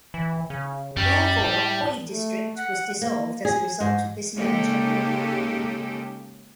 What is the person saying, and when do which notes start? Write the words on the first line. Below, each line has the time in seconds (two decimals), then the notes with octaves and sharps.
Therefore, Hoi District was dissolved as a result of this merger.
0.14 E3
0.50 C#3
0.97 F#2 G3
1.41 A2
2.09 A3
2.57 F#5
3.01 A#3
3.45 G#4
3.80 G#2
4.36 C#3 G#3 A#3 D#4 G4 A4